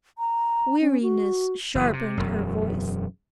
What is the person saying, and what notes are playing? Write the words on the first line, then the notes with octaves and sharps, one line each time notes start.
Weariness sharpened her voice.
A#5
C#4
F#4
F#1 E3
C3
E1 F#2